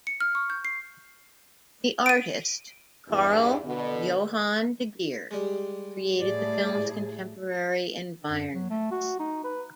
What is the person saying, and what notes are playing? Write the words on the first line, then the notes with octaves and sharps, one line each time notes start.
The artist Carl Johan De Geer created the film's contemporary environments.
C#7
F6
C#6
G6
C7
D7 D#7
E2 G2
B2 D3 B3
G3 G#3
A2 G#4 D5
F#2
F#3
A3
F#4
D#4
B4